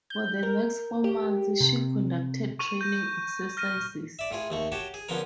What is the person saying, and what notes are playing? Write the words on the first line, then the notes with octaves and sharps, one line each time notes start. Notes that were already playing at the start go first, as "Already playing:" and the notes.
For the next four months she conducted training exercises.
G6
A#4
G4
C3
C#6 D#7
G6 A#6
F6 A#6 D#7
D5 E5
A2 F4 G#4
D#2 A3 C#6
F#4 G4 C#5 A5
G#4
D3 F3 B3 C#4 A#4